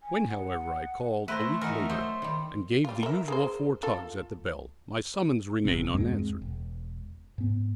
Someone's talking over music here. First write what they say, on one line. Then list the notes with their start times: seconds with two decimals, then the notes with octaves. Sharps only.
When, however, I called a week later and gave the usual four tugs at the bell, my summons remained unanswered.
0.02 G#5
0.29 F#5
1.28 A3 E4 B4 C5 A#5
1.61 E3 D#4 F#4 A#4
1.90 F#3 D#4 C5
2.22 D#3 G3
2.85 G3 F4
3.03 A#4 E5
3.28 G#4 A#4 C5
3.83 F4 A4
5.64 F#1 C3 C4
5.94 E2 G2 G#3 C4
6.42 E1
7.38 G#2 B3